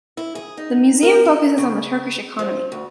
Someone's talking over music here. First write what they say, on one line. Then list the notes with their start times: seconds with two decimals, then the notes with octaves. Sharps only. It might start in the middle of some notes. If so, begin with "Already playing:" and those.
The museum focuses on the Turkish economy.
0.17 E4
0.35 G#4
0.57 D#4
1.03 A#4
1.25 A4
1.58 C#3
2.39 F3
2.72 D2